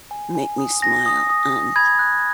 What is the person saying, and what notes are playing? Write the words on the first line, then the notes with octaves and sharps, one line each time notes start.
make me smile, um,
G#5
G#5
D#6
G#5 A#6
D#6
D#6
D#6
B5 G#6
F#6